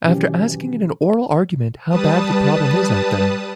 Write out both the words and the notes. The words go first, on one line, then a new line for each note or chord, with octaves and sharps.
After asking in oral argument, how bad the problem is out there?
B2 D#3 E3 F#3 C#4 G4
G3 B4 A5 D#6